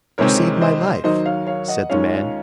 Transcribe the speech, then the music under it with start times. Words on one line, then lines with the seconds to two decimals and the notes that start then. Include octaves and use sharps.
"You saved my life," said the man.
0.18 C#2 C3 D#3 G#3 C4 A#4 C#5
0.61 C5 D#5
1.04 D#2 D#3 F#3 C5 D#5
1.25 C#5 F5
1.47 C#5 F5
1.68 D#5 F#5
1.89 D#2 D#3 G#3 C#4 F4 C#5 F5